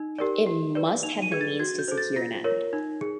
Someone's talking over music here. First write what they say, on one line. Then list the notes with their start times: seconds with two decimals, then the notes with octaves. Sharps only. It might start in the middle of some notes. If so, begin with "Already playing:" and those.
It must have the means to secure an end.
Already playing: D#4
0.18 G4 A#4 D5
0.46 G4
0.75 B4 D5
1.03 D#4 F7
1.22 D#7
1.31 G#4 B4 G#6
1.41 A6
1.59 F#4 G#6
1.79 G6
1.88 A4 C5
1.98 A6
2.16 F4 A#6
2.44 A#4 C#5
2.73 D#4
3.01 G#4